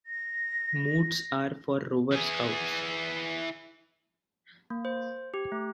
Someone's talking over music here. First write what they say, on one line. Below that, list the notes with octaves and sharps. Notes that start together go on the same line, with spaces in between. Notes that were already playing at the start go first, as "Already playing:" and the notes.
Moots are for Rover Scouts.
A#6
E3 G#4
A#3
C5
G4
A3